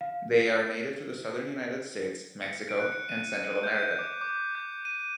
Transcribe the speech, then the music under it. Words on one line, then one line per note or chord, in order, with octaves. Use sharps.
They are native to the southern United States, Mexico, and Central America.
F5
D7
C#7
D7
F#6
C#7
D#7
C#7
G6
G6
D6
D6
G6
D#7